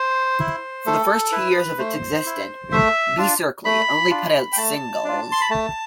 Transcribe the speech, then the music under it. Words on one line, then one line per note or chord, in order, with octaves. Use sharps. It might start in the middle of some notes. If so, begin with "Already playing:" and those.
For the first two years of its existence, Beserkley only put out singles.
Already playing: C5
E4
A3 A4
E4 B4
A3 C5
E4
A3 E5
D4 F4
A3 B5
D4 F4
G5
A3 A5
D4 F4
C6
B5
A3 A5